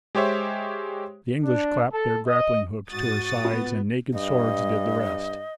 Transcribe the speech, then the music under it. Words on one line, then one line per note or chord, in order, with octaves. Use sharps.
The English clapped their grappling-hooks to her sides, and naked swords did the rest.
G#3 G4 C5 C#5 E5
D4
A4
D#5
G#2 F#4 D#6 A6
A2 B3 F4
G2 D#5